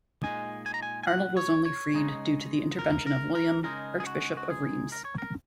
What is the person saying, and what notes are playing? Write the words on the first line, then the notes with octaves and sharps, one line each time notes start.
Arnold was only freed due to the intervention of William, Archbishop of Reims.
A#2 G#3 D#4 G#5
G#5
A#5
G#5
G#5
F#5
C#5
C#5
C#3 G#3 D#4
A#4
A#4
A#4
C#3 G#3 D#4 A#4
G#4
F#4
F#4
G#4
A#4
C#5
A#4